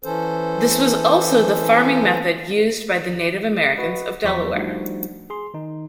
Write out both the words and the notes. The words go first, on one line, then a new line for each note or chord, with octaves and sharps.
This was also the farming method used by the Native Americans of Delaware.
E3 C#4 A4 C5
F#4 B4 D#5
E2 F3 F#3 C5 C#6 B6
F3 G3 A3 D4 D#4 F#4
G#4 C6
D#3 D#4